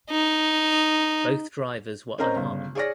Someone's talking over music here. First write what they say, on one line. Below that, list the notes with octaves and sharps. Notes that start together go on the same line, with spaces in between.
Both drivers were unharmed.
D#4
C4 C#4 A#4 C5 D#5 A#5
G1 C#3
G#4 C#5 D5 F6 A#6